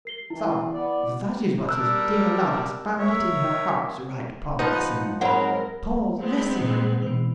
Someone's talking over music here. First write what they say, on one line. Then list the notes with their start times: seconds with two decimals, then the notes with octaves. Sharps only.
'So!--That is what his dear love has found it in her heart to write Paul Lessingham!--Paul Lessingham!'
0.05 A#4 C7 G7
0.30 E3 E4
0.73 B3 D5
1.69 G3 D4 A#4 E6 F#6
2.99 A#4 C#5 E5
4.59 F3 D#4 B4 F#5
5.21 G#2 F#3 C4 A#4 F#5 B5
6.20 G#3 B3 C4
6.61 A#2
7.02 B2 E3